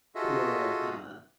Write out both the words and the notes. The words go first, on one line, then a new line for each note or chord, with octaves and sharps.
or, uh
F4 F#4 G#4 A4 D#5 E5